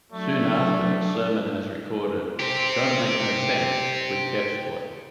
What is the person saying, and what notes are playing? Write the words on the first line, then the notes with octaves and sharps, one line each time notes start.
Soon after, Sermon has recorded "Don't Make No Sense" with Def Squad.
F#3 A3 D4
G4 C5